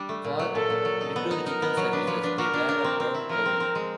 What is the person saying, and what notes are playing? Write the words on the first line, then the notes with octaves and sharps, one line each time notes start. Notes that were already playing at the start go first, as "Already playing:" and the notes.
For liturgical services, they wear a brown cowl.
Already playing: G3 D4
A3
A#2
F#3
A#2 A4
A#2
F#3
D#4
B3
D#4
D#4 A#4
B3
F#3
D4 B4
F3
D4
F#4 A#4
D4
D4
C4
C4
E4
F3 A#4
C4
C4
G#3